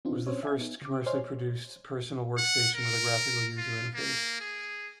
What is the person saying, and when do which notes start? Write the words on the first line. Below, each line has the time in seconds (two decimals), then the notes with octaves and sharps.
It was the first commercially produced personal workstation with a Graphical User Interface.
0.05 B3 C4 D4 D#4 F4
0.27 C4 C#4 C5 C#5
0.43 E5 G#5 G#6
0.58 B3 D#4
0.81 C#3 D6
1.06 C5 C#5 D#5 G#5 C6 F6
2.37 F#5
2.75 A#4
3.58 F4
3.95 A#3
4.40 G#4